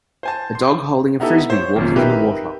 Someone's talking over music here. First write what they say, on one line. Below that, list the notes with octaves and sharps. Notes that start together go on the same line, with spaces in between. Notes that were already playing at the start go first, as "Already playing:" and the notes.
A dog holding a Frisbee walking in the water.
C5 G#5 A5
C6
B3 D#4 E4 G4 A4
C5 C#5
G#1 F#2 A#2
D#4 G4 A#4 B4 E5